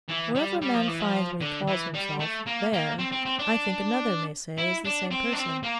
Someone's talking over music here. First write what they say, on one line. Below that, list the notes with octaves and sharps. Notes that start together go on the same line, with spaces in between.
Wherever a man finds what he calls himself, there, I think, another may say is the same person.
E3
G3
G3
F3
E3
F3
D3
E3
G3
A3
A#3
A#3
C4
C4
C4
D4
E4
D4
C4
D4
C4
A#3